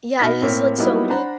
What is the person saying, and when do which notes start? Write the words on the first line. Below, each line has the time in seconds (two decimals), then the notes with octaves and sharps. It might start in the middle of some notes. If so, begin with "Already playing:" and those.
Yeah, it has, like, so many
0.19 B2 D#4 B5 F6 A#6 B6
0.42 A2 A#3 C4 C#5
0.78 F#3 G3 A#3 B3 D#4 E4
1.09 D4 C5 F#5 A#5 B5